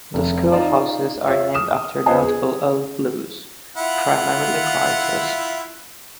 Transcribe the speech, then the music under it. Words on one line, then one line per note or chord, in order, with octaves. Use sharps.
The school houses are named after notable Old Blues, primarily writers.
F1
D#4 F4 D5
F4 C#5 E5
D#6 F6 E7
B3 F4 C5 D#5 G#5
G#4
E4 F4 F#5